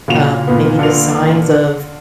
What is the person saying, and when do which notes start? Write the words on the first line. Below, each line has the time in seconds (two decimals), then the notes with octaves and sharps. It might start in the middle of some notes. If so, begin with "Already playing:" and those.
Um, maybe the signs of
0.08 A#2 C#3 F#4 F7
0.47 E1 A#2 B3
0.79 D3 F4 F7